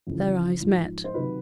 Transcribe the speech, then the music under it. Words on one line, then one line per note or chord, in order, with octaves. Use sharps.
Their eyes met.
F2 C#3 E3
G#2 F3
C5
C3 D#3 F#3 B4